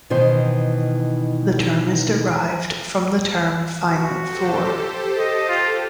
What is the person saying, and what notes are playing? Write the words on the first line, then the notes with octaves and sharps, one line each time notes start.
The term is derived from the term Final four.
B2 D#3 E3 C5
F#4
G4 A4 C5
D#5
F4